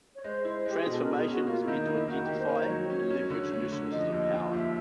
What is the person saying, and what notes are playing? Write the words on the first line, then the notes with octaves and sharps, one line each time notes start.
Transformation is meant to identify and leverage new sources of power.
C#5
G#3 C5
E4
G#3 G4
G#4
B2 A4
B2 A#4
G#4
C#4 F#4
A#3 F4
E4
D#3
D#4
A#3 E4
D#3 F#4
G4
A#3
C5
D#3
C#5
F#3
C#4
C#4
D3
A3
D3
F3 D#5
D#2
F3
D#2 E5